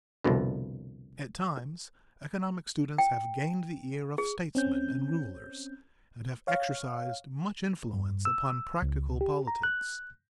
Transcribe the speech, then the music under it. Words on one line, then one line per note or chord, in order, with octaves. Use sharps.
At times economic students have gained the ear of statesmen and rulers, and have exercised much influence upon practical politics.
C2 F2 B2 D3
G5
G#4
C4 C#4 G6
C#5 F5
G2
E6
C#2
G4
A#5
F#6